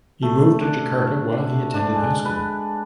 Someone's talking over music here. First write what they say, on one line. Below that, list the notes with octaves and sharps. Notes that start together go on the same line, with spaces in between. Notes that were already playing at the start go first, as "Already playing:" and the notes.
He moved to Jakarta while he attended high school.
A3
D4
F#5
D4
G#3
B4